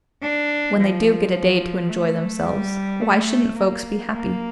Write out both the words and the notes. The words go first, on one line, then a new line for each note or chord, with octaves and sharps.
"When they do get a day to enjoy themselves, why shouldn't folks be happy?"
D4
F3
F3
A3
G3
A3
A#3
A#3